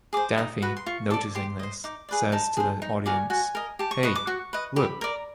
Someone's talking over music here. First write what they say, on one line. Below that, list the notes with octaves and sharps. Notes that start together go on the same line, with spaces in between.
Daffy, noticing this, says to the audience, Hey, look!
G#4 C5 D6
D#4 D#6
F#4 B4
C6
F4 C#6
A4 D5 D6
G4 C6
C5 D#5
D#4 D6
G#4 B4 D5
D#4 A5
G#4 C5
D#4
F#4 A#4 D5 G#5
F#4 G#5
A#4 D#5
G4 A5
C#6
B4 D#5 C#6
D6
F#4 C#6
B4 D#5
G4 B5
A#4 D5 A#5